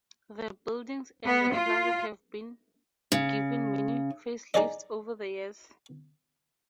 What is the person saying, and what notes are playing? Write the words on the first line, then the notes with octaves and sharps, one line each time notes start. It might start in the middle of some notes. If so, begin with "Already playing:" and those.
The buildings and the plaza have been given many facelifts over the years.
B3
F4
C#3
D#4 G#4 D5 D#5